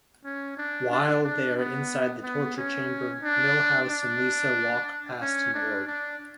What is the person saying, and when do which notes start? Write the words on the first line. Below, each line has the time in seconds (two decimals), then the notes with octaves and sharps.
While they are inside the torture chamber, Milhouse and Lisa walk past an orb.
0.25 C#4
0.58 D4
0.91 D4
1.24 D4
1.57 B3
2.23 B3
2.56 C#4
3.23 D4
3.89 D4
5.21 C#4
5.54 D4
5.87 D4